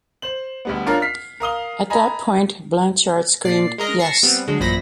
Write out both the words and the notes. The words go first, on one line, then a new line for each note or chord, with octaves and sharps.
At that point, Blanchard screamed Yes!
C5 F#7
D2 G3 B3
C#4 D4 F4 A#4 F5
F6 B6 C7
A#4 F5 D#6 G7
D#5 G#5 A#5 B5
A#2 D5 C7
G#3 A#4 D#5
A5 C#6 A#6 C7
G3 B3 C4
D3 F#3 G#3
A1 F#2 A#2 C5 B5 A#6